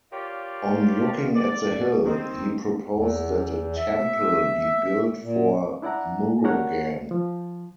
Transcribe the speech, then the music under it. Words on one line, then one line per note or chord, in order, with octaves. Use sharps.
On looking at the hill, he proposed that a temple be built for Murugan.
F4 G4 A#4 C#5 D5 F5
D5
D#3 C4
E2
E5
A#2
D4 E4 D5 F#5 A#5
D4 F#4 G4 A#4 C#5 F#5
F3